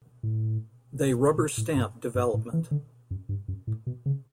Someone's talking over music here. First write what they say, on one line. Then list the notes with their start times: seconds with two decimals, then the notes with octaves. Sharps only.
They rubber-stamp development.
0.23 A2
1.38 B2
1.57 A2
1.76 G2
2.15 G2
2.34 A2
2.53 E3
2.71 D3
3.11 F#2
3.29 G2
3.48 F#2
3.67 A2
3.87 B2
4.06 C#3